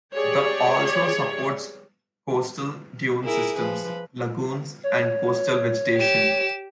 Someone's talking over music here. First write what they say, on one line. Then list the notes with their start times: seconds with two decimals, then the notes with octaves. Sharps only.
The also supports coastal dune systems, lagoons and coastal vegetation.
0.14 G4 G#4 C#5 D5
3.24 E4 G#4 A#4
3.57 F3 B4
4.84 C#5
5.97 G4 E7